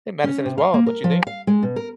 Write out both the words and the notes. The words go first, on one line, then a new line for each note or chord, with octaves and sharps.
than medicine as well, don't you think?
C#4
C3
F5
A#3
A#4
F3
F5
G#3
B2
A#4